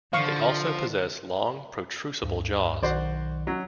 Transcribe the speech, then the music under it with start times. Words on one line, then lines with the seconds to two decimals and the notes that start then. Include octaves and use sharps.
They also possess long, protrusible jaws.
0.13 D3 F3 F5 C#6
2.23 D2 G2
2.83 B1 D#3 F#4 C5 D5
3.47 F#3 C#4